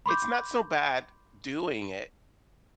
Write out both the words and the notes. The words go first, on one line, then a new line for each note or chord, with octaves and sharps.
it's not so bad doing it,
B5 C6 D6 G6